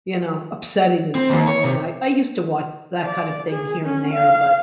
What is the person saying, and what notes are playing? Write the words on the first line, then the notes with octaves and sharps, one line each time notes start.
you know, upsetting and so on. I I used to watch that kind of thing here and there, but
C4
D#2
C#5
C3
D5
G#4
C#4
F5